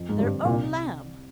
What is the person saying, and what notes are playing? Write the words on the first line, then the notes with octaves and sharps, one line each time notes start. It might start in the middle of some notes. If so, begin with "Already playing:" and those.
Their own Lamb!
Already playing: F2
G#2
G2 D3 G3 C4
C2 A#2